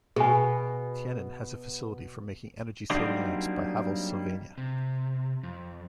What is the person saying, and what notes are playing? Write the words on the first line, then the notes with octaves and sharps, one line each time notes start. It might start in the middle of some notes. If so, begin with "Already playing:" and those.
Tienen has a facility for making energy saving lamps by Havells-Sylvania.
B2 G#4 G#5
F#3 G3 A#3 C4 D4 D#4
C3
F2